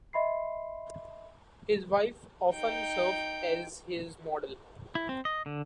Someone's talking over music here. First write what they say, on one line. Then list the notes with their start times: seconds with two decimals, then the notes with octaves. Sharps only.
His wife often served as his model.
0.13 D#5 E5 B5 C6 C7
2.53 D#4 G5
4.95 E4
5.09 C4
5.25 D#5
5.46 D3